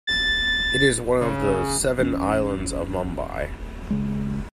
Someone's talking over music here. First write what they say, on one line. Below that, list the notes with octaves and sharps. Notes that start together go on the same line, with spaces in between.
It is one of the seven islands of Mumbai.
A6
C#3
E2 B3 C#4
C#3 G#3